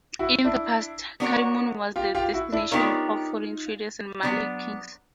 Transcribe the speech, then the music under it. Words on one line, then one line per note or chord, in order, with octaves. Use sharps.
In the past, Karimun was the destination of foreign traders and the Malay Kings.
E4 F#4
D4 E4
B3 D4 F#4 A#4 C#5
F4 G4
F4 G4
E4 F#4
D4 E4
B3 D4 D#4 F4 G4 A#4 C#5
F#3 B3 D4